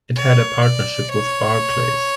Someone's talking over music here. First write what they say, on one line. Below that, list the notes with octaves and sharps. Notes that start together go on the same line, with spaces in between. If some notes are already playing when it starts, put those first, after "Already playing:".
It had a partnership with Barclays.
C#5
D5
C#5